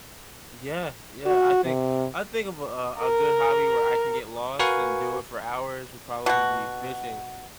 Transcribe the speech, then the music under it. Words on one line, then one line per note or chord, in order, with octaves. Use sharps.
Yeah, yeah, I think I think of a, uh, a good hobby where I can get lost and do it for hours would probably be fishing.
F#4
C3
A#4
F#4 A#4 B4 F5 G#5 C#6
B2 F#4